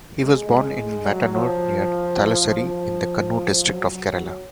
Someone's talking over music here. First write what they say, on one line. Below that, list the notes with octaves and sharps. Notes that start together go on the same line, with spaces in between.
He was born in Mattanur, near Thalassery, in the Kannur district of Kerala.
G#3
G#3
F#3
F3
F3
F#3